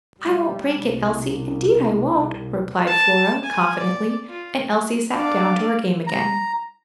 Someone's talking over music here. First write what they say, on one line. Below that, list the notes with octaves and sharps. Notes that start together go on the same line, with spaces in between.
"I won't break it, Elsie, indeed I won't," replied Flora, confidently; and Elsie sat down to her game again.
G3
C2
A5
G#5
D5
F4
D4 D5 F5
A#5